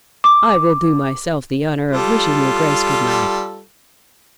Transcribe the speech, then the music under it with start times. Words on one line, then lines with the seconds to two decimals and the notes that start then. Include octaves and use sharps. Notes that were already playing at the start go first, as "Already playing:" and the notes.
I will do myself the honour of wishing your Grace good-night.
0.24 D6
1.91 G3 F4 A4